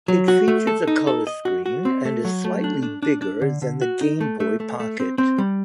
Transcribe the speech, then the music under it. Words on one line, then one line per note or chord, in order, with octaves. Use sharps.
It features a color screen, and is slightly bigger than the Game Boy Pocket.
F#3
F#4
A3
A4
D#4
A4
D#5
F#4
F#4
C4
A3
F#3
A3
D4
D4
D4
D4
D3
D3
F#4
D#4
A3
A3
A3
A3
C4
C4
G3